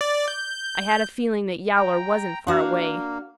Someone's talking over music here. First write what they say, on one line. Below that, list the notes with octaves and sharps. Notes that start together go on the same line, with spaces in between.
I had a feeling that Yowler wasn't far away.
D5
G6
G5 A#5
A#3 D4 F#4 F5